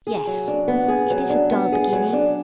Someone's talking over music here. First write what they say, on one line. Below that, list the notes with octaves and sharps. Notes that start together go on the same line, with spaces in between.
'Yes, it is a dull beginning.
G#4
F#3
D4
B3
G#4
F#3
D4
B3
G#4
F#3
D4